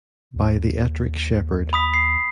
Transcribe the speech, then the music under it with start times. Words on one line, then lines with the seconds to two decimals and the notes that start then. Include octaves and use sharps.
By the Ettrick Shepherd.
0.36 D#2
1.73 B5 D#6 B6
1.94 C7